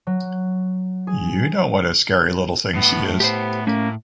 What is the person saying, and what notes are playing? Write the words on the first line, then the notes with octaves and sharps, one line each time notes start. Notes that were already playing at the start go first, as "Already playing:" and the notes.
You know what a scary little thing she is.
F#3
G#4
A2 B3
B3 G4 C5
A3 A#3 C#4